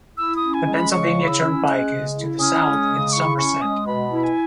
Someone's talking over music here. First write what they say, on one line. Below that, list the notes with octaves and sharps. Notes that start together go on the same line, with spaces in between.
The Pennsylvania Turnpike is to the south in Somerset.
E4 E6
D#6
C#4
G#5
G#3
B5
C#3 C#6
E4
E6
C#4
G#3 F#6
C#3
E4
C#4 D#6
G#3
C#3
E4 C#6
C#4 C#6
G#3 D#6
B2 B5
E4
G#5